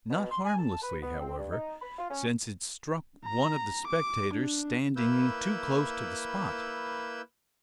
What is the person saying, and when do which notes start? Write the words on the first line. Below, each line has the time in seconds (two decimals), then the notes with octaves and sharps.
Not harmlessly, however: since it struck one of the spectators standing too close to the spot.
0.10 B2
0.31 C6
0.45 G#5
0.59 A5
0.82 B4
1.03 B3
1.20 C4
1.38 G2
1.52 D#4
1.82 B5
1.99 F4
2.10 C#4
3.26 A#5
3.87 D6
4.34 D4
4.96 A#3 E4 B4 E6 G6